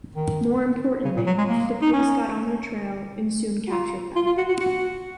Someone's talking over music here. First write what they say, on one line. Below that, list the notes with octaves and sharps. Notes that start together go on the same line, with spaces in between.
More importantly, the police got on their trail and soon captured them.
D#3
C#3
A#2
F#3
G#3
A#3
D#4
C#4
F#4
F4
F4
F4
F#4
F#4
F#4